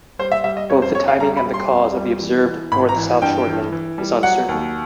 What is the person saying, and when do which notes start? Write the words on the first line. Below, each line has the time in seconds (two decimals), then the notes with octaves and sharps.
Both the timing and the cause of the observed north–south shortening is uncertain.
0.19 G3 C5
0.32 E5
0.44 G3 E5
0.57 D#5
0.70 F2 C#5
0.82 C5
0.95 F2 C#5
1.08 F5
1.20 G3 A#5
1.37 B5
1.45 G3
1.54 C6
1.71 F2
1.96 G3
2.21 E3
2.46 E3
2.72 G#1 B5
2.89 A#5
2.96 E3
3.22 G2 G5
3.47 E3
3.72 E3
3.98 G3
4.23 F#3 F#5
4.49 D#2